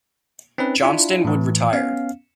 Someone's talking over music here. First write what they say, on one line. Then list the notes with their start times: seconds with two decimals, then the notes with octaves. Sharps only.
Johnston would retire.
0.58 C4 C#4 D#4 B4
0.82 D4 E4 F4
1.25 A2 E3
1.73 B3 C#4 F5